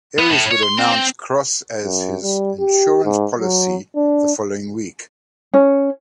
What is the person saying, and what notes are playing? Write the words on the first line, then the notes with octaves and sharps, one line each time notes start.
Aries would announce Kross as his "insurance policy" the following week.
B3
A2
C#5
C6
C4
C4
F#2
G3
G4
G#2
F#3
D4
C#4